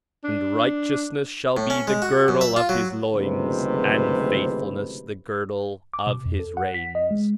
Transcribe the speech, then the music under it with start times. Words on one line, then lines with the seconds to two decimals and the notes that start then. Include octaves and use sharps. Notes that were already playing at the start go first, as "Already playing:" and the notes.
And righteousness shall be the girdle of his loins, and faithfulness the girdle of his reins.
0.24 D4
1.57 A2
1.70 C#4
1.87 G#3
2.02 F#4
2.28 F#2
2.41 E5
2.56 F4
2.69 F#3
3.12 F#1 D2 G#2 C3 B4
5.94 D6
6.07 B2
6.26 F2
6.40 A4
6.57 F#5
6.74 B6
6.95 D#5
7.11 G#3